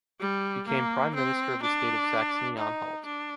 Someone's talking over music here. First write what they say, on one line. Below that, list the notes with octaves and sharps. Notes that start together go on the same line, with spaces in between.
Became prime minister of the state of Saxony-Anhalt.
G3
A#3
C4
D4
D#4
D4